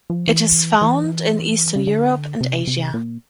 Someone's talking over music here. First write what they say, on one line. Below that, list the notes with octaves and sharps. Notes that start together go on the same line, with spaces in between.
It is found in eastern Europe and Asia.
F3
E3
E3
C#3
D3
C3
C3
A#2